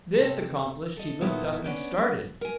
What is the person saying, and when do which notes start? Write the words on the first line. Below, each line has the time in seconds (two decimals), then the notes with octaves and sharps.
This accomplished, he looked up and started.
0.15 C3 A4
0.97 A4 D#5
1.21 A#2 D#3 B3 E4 F#4 A4
1.64 B3 C#4 D4
2.41 A#4 G#5